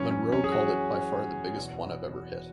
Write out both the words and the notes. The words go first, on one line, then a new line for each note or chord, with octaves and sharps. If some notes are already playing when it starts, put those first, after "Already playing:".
Monroe called it by far the biggest one I've ever hit.
Already playing: F#2 E3 C#4
C#4
C#4
G#4
F#4
E2 B2